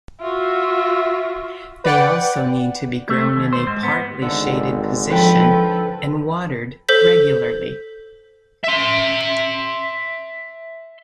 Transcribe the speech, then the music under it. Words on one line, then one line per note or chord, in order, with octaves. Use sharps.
They also need to be grown in a partly shaded position and watered regularly.
F4 F#4 E5
B4 D5 F#5 G5
A3
D#2
C5
G#2
B3
G#1 D3
F3 A4 B4 G5
A4 C5 G6 B6
E5 C6